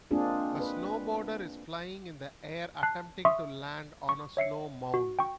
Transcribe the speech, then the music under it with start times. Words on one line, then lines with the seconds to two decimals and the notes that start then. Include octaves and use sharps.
A snowboarder is flying in the air attempting to land on a snow mound.
0.11 G#3 A#3 C4 D4 F4 G#4
0.60 B4
2.83 A5 F#6 C7
3.25 E5 C6 C#6 D#6
4.09 C#6
4.37 C#5 E5 C7 C#7
4.94 F#4
5.19 G5 C#6